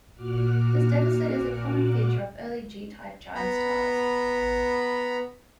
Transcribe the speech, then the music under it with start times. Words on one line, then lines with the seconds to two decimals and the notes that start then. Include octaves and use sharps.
This deficit is a common feature of early G-type giant stars.
0.15 A#2 F#4 D6 F6 F#6
3.35 B3 A#5 B5